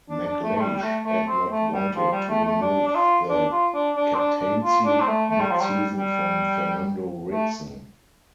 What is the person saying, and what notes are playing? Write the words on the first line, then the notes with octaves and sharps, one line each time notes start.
McLeish had not wanted to remove the captaincy mid-season from Fernando Ricksen.
D4
D4
A3
A3
G3
G3
A3
A3
C4
A3
G3
F3
G3
A3
A3
D4
D4
F4
D4
F4
D4
D4
C4
D4
D4
F4
D4
C4
A3
A3
G3
F3
G3
G3
A3